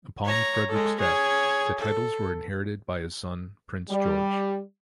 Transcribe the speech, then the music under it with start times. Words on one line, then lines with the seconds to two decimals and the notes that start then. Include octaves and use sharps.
Upon Frederick's death, the titles were inherited by his son Prince George.
0.25 C#5 A#5
0.69 G#3 A4
1.01 G#4 C#5
1.79 A4
3.90 G3